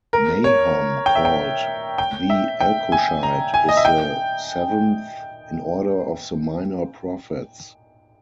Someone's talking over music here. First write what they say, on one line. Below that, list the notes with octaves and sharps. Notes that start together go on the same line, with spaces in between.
Nahum, called "the Elkoshite", is the seventh in order of the minor prophets.
A#4
C#5
G5
E5
G5
G5
E5
G5
G#5
A#5
G#5
D#5
E5
G5